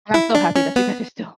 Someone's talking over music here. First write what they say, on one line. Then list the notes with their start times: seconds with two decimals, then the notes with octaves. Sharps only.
and I'm so happy that you guys are still
0.14 E4
0.35 D4
0.56 C#4
0.76 B3